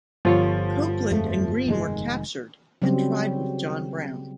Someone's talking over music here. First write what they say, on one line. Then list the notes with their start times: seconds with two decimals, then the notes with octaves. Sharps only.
Copeland and Green were captured and tried with John Brown.
0.25 G1 F3 F4 C#5
1.11 F2 A3
1.66 F1 D#3 G#3
2.82 C#3 F#3 G3 C4